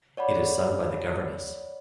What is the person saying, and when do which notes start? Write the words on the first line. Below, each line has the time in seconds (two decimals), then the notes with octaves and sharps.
It is sung by the Governess.
0.17 C#5 D5 F#5 B5